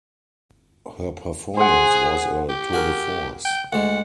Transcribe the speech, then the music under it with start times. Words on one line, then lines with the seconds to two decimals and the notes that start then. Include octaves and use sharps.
Her performance was a tour-de-force.
1.57 G#4 C5 F#5
2.49 G4
2.73 F#4 G#4 A#4
3.45 G5
3.73 D2 G#3 F#5